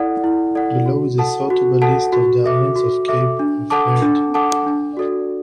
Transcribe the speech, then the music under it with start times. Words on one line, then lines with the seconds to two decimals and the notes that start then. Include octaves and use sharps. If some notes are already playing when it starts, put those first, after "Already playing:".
Below is a sortable list of the islands of Cape Verde.
Already playing: E4 A4 D5 F#5
0.24 E4
0.55 A4 D5 F#5
0.86 F#4
1.18 A4 F#5 A5
1.50 F#4
1.82 A4 F#5 A5
2.12 F#4
2.44 A4 E5 D6
2.76 F#4
3.08 A4 E5 D6
3.39 D4
3.70 A4 F#5 A5 D6
4.02 D4
4.34 A4 F#5 A5 D6
4.66 D4
4.97 F#4 A4 D5